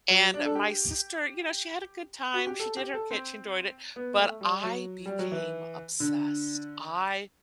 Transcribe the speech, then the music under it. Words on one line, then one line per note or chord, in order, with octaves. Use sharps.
and my sister, you know, she had a good time, she did her kit, she enjoyed it, but I became obsessed. I
F#3
D4
A4
G4
F#4
G4
A4
G4
A4
C4
B3
A3
G3
F#3
G3
F#3
E3
D3